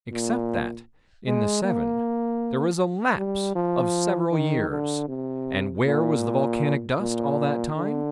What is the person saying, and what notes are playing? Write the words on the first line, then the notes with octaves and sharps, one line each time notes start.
Except that, in the seven, there was a lapse of several years--and where was the volcanic dust all that time?
A#2
G#3
A#3
G3
F3
D#3
D3
C3
A#2
A#2
D3